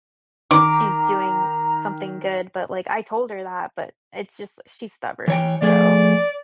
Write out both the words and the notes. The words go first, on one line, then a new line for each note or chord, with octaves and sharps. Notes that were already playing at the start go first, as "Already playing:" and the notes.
she's doing something good, but, like, I told her that but, it's just she's stubborn, so
D#3 A#5 D6
E3 C#5 G5
F3 A3 G#4 D5